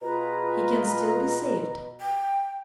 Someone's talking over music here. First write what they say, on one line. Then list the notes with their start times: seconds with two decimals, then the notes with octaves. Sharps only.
He can still be saved.
0.02 B2 F4 G#4 B4 A#5
2.01 G5